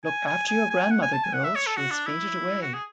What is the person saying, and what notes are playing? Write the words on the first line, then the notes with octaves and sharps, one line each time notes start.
Look after your grandmother, girls; she has fainted away.
G#5
G#5
G#5
G#5
F#5
G#5
A5
G#5
F#5
E5
C#5
A4
F#4
D4
E4
F#4
G#4